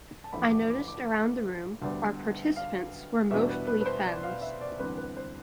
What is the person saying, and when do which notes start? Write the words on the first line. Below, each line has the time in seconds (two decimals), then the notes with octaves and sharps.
I noticed around the room our participants were mostly femmes.
0.24 A5
0.32 A1 G2 D3 F3 A3 B5
0.50 D6
0.70 D6
0.88 D6
1.82 D2 D3 G3 B3
2.56 F5
3.31 E2 B2 G3 B3 D4 E5
3.49 B4
3.67 B4
3.81 B4
3.86 C5
4.05 D5
4.23 F5
4.42 E5
4.61 D5
4.79 E2 D3 G3 C4 B4
4.97 B4
5.17 C5